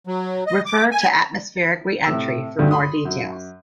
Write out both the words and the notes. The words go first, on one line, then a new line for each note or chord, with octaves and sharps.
Refer to atmospheric reentry for more details.
F#3
D#5
D6
G#5
A2 C3 E6
D2 G2 D3 A3
B5 C6 D#6
F#2